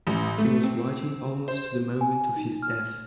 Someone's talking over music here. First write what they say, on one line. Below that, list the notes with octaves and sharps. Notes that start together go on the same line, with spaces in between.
He was writing almost to the moment of his death.
A1
A3
C4
C5
G#5
D#4
F6